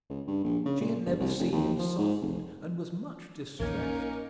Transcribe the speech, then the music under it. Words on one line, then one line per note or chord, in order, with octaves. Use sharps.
She had never seen him softened, and was much distressed.
C#2
G2
A#1
C#3
A#2
G1
C2
F1
D#2
F3
G#2
F1
A#1 E2 A#3 C#4 D#4 A#4 G#6